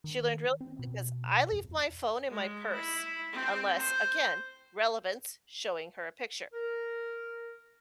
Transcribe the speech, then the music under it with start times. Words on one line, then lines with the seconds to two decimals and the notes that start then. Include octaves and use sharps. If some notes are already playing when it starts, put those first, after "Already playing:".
She learned real quick, because I leave my phone in my purse, unless, again, relevance, showing her a picture,
0.04 D#3
0.61 C4
0.79 B2
1.52 F2
2.29 G#3
2.72 E4
3.32 C4
3.78 C5
6.53 A#4